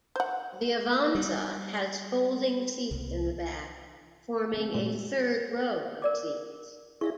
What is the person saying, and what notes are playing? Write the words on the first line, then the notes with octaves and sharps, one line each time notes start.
The Avanza has folding seats in the back, forming a third row of seats.
C5 F#5
G3
C2
A3 C4
G2 A#2 G#3
A#4 D5 D6
E4 G#4 E5 F5 C#6